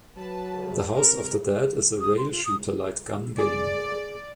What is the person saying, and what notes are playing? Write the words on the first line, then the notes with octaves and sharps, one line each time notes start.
"The House of the Dead" is a rail shooter light gun game.
F#3 B4 A5
C3 A#4
D#6
C6
F4
D#6
G#4 D5